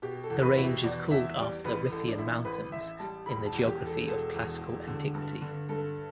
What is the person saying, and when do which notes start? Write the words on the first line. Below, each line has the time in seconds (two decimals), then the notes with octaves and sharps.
The range is called after the Riphean Mountains in the geography of classical antiquity.
0.02 B2 G4
0.24 A4
0.30 E2
0.43 B4
0.56 B2 E4
0.64 G4
0.83 E2 D5
1.11 E2 E5
1.37 G3 D5
1.64 A1 B4
1.91 A1 A4
2.08 D4
2.18 A1 E4
2.45 A1 B4
2.72 A1 E5
2.99 G3 A5
3.26 E1 B5
3.46 A5
3.53 E2
3.67 G4
3.80 E1
3.87 A4
4.07 E1 A4
4.34 E2
4.62 E1
4.87 D3
5.14 G2
5.42 D3
5.69 G2 A4